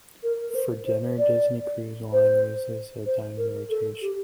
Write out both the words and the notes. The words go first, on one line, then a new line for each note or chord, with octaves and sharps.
For dinner, Disney Cruise Line uses a dining rotation.
A#4
A#4
C5
C5
D5
C5
C5
A#4
A4
G4